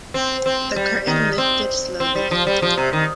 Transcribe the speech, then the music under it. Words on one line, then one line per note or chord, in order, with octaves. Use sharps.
The curtain lifted slowly.
C4
C4
G3
D#3
C4
C4
G3
F3
G3
F3
C3
D#3